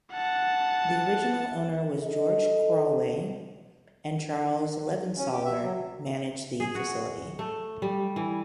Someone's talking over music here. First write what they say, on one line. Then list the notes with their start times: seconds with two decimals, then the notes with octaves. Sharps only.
The original owner was George Crowey and Charles Levansaler managed the facility.
0.11 F#5 A5
2.03 A4 D#5
5.17 C#4
5.31 G4
5.45 E5
5.61 F#3
6.60 G#4
6.75 F#4
7.39 A3
7.82 G3
8.16 E3